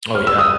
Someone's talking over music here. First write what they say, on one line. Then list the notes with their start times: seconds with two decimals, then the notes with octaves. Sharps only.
Oh, yeah.
0.15 F6
0.27 E6
0.38 D#6